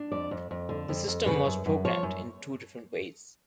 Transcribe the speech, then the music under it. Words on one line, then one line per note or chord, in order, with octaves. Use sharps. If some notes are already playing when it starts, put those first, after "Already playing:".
The system was programmed in two different ways.
Already playing: D4
F2 D5
F2
F2
D3
F2
F2
C#3 B4
F#2
F#2
F3 C#5
F#2